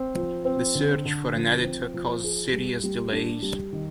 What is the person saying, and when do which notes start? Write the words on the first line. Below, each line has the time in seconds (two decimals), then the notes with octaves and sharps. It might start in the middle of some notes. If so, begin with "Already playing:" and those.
The search for an editor caused serious delays.
Already playing: C4
0.15 F3
0.45 C4
0.75 D3
1.05 D3
1.35 F3
1.64 C4
1.94 F3
2.24 G#4
2.53 G3
2.84 G3
3.12 D4
3.42 G3
3.73 D#3